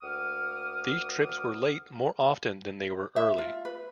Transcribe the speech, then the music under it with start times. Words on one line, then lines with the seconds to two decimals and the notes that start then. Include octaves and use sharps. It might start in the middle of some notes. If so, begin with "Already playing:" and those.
These trips were late more often than they were early.
0.03 D2 A#3 F#5 D6 D#6 F6
3.16 E5
3.38 F4
3.65 B4